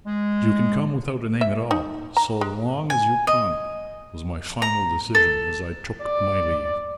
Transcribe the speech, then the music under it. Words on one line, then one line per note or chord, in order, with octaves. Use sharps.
"You can come without a name at all, so long as you come," was my final decision as I took my leave.
G#3
E5
D#4
A#5
G#3
G#5
D#5
A#5
A4
D5